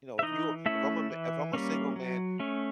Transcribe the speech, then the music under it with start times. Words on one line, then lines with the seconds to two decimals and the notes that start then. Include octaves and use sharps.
You know, if you if I'm a m if I'm a single man,
0.19 E5
0.23 E3 D#4 D#5
0.66 A3 C#4 E4 E5
1.10 E3
1.53 G3 A#3 C#4
1.96 F#3
2.40 A3 C#4